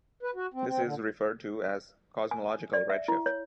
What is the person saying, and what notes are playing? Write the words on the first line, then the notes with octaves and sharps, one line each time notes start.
This is referred to as cosmological redshift.
B4
F#4
C4
C4
D3
G#5
D5
E5
E4
C#5